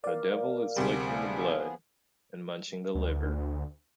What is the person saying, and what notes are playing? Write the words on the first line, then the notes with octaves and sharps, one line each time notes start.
The devil is licking the blood and munching the liver.
A#4 D5 F5
D2 C3 F3 G3 B3 G#4
D2